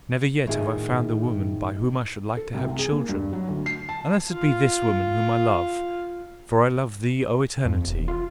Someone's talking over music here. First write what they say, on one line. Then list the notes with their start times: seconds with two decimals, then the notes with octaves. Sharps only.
Never yet have I found the woman by whom I should like to have children, unless it be this woman whom I love: for I love thee, O Eternity!
0.47 A2 D#3 F4 G#4
2.37 A4
2.54 C2
2.67 C3
2.79 G#4
2.92 A#3
3.09 G2
3.33 F#3
3.49 D2
3.66 C7
3.89 A5
4.31 F4 F5
7.65 F2
7.88 E1
8.08 F4